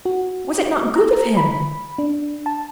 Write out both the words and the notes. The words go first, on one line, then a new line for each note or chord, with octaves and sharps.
Was it not good of him?'
F#4
A#5
B5
D4
A5